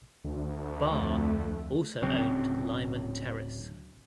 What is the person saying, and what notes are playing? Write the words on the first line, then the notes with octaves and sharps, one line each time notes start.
Barr also owned Lyman Terrace.
D2
F2 A3
D1 C#3 F#3 C4